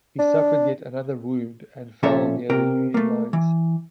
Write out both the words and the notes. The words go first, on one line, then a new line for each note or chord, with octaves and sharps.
He suffered yet another wound, and fell near the Union lines.
D4
A#2 F3 C#4 A4 E5 A#5
C3 A#4 G5
A3 A#3
E3